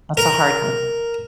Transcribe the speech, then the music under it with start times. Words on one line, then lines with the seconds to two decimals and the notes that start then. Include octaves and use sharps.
That's a hard one.
0.17 A#4